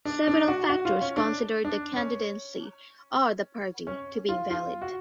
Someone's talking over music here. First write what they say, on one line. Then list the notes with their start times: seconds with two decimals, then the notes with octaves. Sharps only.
Several factors considered the candidacy or the party to be invalid.
0.05 D4
0.28 D4
0.48 F#4
0.69 F#4
0.85 F4
1.01 C#4
1.17 D4
1.65 D4
1.96 C#4
3.87 C#4
4.29 F4
4.51 F4
4.82 F#4